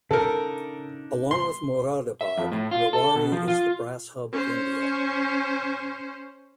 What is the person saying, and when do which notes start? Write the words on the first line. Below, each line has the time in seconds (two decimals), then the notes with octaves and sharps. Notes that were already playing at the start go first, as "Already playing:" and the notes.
Along with Moradabad, Rewari is the brass hub of India.
0.11 C#3 D4 D#4 A4 A#4
1.31 C6
2.21 E5
2.38 F2
2.52 A2
2.71 F4
2.93 A4
3.16 B2
3.32 F3
3.48 F4
4.32 C#4 C5